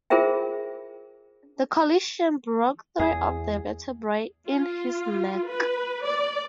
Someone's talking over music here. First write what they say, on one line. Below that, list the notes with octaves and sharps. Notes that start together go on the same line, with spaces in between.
The collision broke three of the vertebrae in his neck.
F4 G#4 A#4 C5 E5 G5
E2 G#4
F4
B4
D5